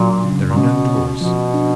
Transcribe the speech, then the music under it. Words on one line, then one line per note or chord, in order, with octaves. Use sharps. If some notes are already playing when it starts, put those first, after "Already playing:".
There are no doors.
Already playing: A#2 F#3 D4
C#3
A#2
B2 C#4
C#4
B2 F3
D4